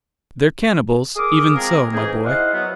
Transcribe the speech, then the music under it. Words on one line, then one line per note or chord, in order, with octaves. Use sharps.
"They're cannibals even so, my boy."
G#4 A#4 D6 D#6
F3 G#3 C4 G#4 A#4
G#2 E3 D#4 G#4 G#5
E4 C5 D#5 F5 F#5
F#3 B3